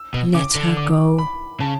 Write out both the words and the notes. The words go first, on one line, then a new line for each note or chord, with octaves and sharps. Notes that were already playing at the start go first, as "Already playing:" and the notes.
Let her go!'
Already playing: E6
B2
C#3 D6
D3
D6
B5
C#3 A5